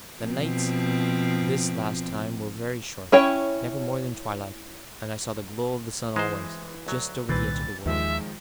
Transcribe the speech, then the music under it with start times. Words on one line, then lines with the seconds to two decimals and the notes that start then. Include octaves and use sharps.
The nights this last time were very short, never more than twilight, and I saw the glow of the sun always, just over the edge of the world.
0.21 B2 F3 C4
3.12 C#4 E4 C#5 G5
6.16 E3 G#3 C5
6.87 D2 F#3
7.29 C2 A#2 D#3 E3 G3 C4 B4 A6
7.86 D#2 D#3 F3 G#3 E5